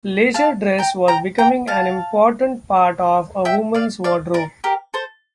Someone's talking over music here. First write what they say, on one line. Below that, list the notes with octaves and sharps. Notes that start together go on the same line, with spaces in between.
Leisure dress was becoming an important part of a woman's wardrobe.
F5 A5
G5 A#5
G5 A#5
G5 A#5
F5 A5
E5 G5
D5 F5
D5 F5
A#4 D5
G4 A#4
A4 C5